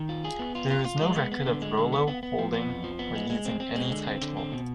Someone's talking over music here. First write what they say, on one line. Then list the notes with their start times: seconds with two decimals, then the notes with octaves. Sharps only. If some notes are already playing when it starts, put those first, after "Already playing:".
There is no record of Rollo holding or using any title.
Already playing: D#3
0.09 F4
0.24 G#4
0.39 B3
0.55 F4
0.70 F4
0.85 F4
1.01 G#3
1.16 B3
1.32 B3
1.46 D3
1.62 G#3
1.78 D3
1.92 B3
2.07 B3
2.23 B3
2.39 F3
2.53 B3
2.69 F2
2.84 F3
2.99 B3
3.15 G#3
3.30 G#3
3.45 C4
3.60 C4
3.76 G#3
3.91 D3
4.07 C4
4.22 D3
4.37 C4
4.52 B2